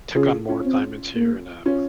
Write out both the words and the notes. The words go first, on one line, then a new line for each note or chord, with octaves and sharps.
took on more assignments here and, um,
C#3 F4 G#4
C#4 F4
C4
A#3
C#4 F4